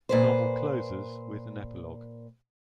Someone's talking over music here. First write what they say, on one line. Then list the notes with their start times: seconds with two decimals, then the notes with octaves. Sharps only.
The novel closes with an epilogue.
0.09 A#2 B4 C5